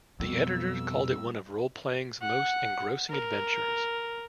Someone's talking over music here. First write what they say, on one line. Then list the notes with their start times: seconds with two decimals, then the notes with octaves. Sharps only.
The editors called it one of role-playing's most engrossing adventures.
0.20 F2 B2 G3 B3 E6
2.22 F#5
3.10 A#4